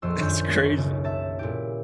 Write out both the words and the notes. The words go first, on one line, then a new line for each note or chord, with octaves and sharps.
That's crazy.
A#1 F2 C6 E6
F#2 D#3 D4 G6
D#1 C7
B1 C#3
E5 A5 A6
A#2 E4 G4